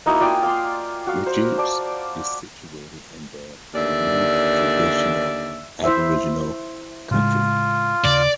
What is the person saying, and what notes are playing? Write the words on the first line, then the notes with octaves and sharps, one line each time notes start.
Richards is situated in the Darug traditional Aboriginal country.
A#3 D#4 E4 F#4
F4 D5 G5 G#5
F5 C6
F#4 F5
C5
D5 A5
D#2 D3 D5 E5
E4 C5 E5
A2 C#3 G#3 F4
D#2 C#3 D5